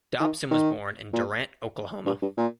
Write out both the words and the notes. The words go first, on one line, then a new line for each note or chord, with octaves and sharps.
Dobson was born in Durant, Oklahoma.
D#3
D#3
A#2
G2
G2
A#2